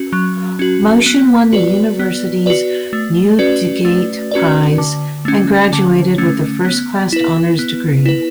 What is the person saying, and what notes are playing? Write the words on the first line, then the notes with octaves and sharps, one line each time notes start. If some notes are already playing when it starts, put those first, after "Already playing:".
Motion won the university's Newdigate Prize and graduated with a first class honours degree.
Already playing: C#4 F#4
F#3
C#4 F#4
B3
F#4 B4 D5
B3
F#4 B4 D5
A3
C#4 F#4 B4 D5
A3
C#4 F#4 B4 D5
D3
A3 C#4
D3
A3 C#4
B3
E4 B4
B3
E4 B4